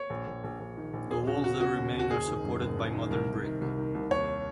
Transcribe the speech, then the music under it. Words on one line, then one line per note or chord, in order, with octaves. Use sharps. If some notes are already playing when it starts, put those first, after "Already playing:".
The walls that remain are supported by modern brick.
Already playing: C#5
A#1
A#1
A#1
A#1
D#3
A#1
D#2 G#4
C#3 F#4
C#3 F#4
C#3 F#4
D#2
D#2
F#4
F#1 G#4
D#3
F#2
F#1
F#2
D#3
C2 A#4
C3
D#3
C2
D#3
C2
D#2 C#5